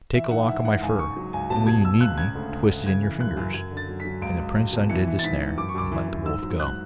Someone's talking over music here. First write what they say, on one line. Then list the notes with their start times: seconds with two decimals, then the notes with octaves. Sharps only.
Take a lock of my fur, and when you need me twist it in your fingers.' And the prince undid the snare and let the wolf go.
0.14 E3 E5
0.31 G#2 F#5
0.49 E3 E5
0.65 G#2 F#5
0.82 C#2 G#5
0.99 C#2 C#6
1.16 F#3
1.33 C#2 G#5
1.50 B2 A5
1.67 B2 G#6
1.84 B2 E6
2.01 C#2 F#6
2.18 C#3 G#6
2.35 D2
2.52 C#3
2.69 D2
2.86 C#3 G#6
3.02 E3
3.20 F#2 F#6
3.37 F#2
3.54 F#2 G#6
3.71 D3
3.77 A6
3.89 F#3
4.00 B6
4.05 F#3
4.22 C#2 D7
4.39 C#2
4.55 C#2
4.73 B2
4.89 E3 C#7
5.08 E3
5.19 A6
5.23 G#2 B6
5.41 E3
5.57 F#2 D6
5.69 C#6
5.75 F#2 D6
5.92 E3
6.08 E3
6.26 G#2 E6
6.42 F#3
6.60 G#2 F#6